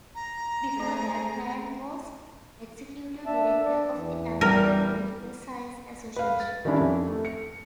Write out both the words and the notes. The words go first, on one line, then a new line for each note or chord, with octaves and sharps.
Before that, Mann was executive director of the American Political Science Association.
A#5
A3 C4 G#4
D4 E5 A5
D4 D5
E2 E3
G3 A#4
B4 F5
A6
D#3 G3 C#4 D4 E4
F2
A3
C#7